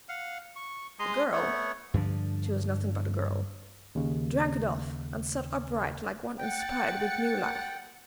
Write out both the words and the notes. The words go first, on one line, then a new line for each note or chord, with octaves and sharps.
The girl--she was nothing but a girl--drank it off and sat upright like one inspired with new life.
F5 F#5
C#6
G#3 A#5 C6 D#6
A3 B3 C#5 F#5
G2 D3 F3 D4
D#2 C#3
F#5 G5 A6 C#7